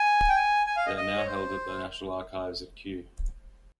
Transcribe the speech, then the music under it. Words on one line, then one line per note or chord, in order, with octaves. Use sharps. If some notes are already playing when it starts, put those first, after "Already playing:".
They are now held at The National Archives at Kew.
Already playing: G#5
G5
G#5
G#5
F5
D#5
D#5
C#5
C5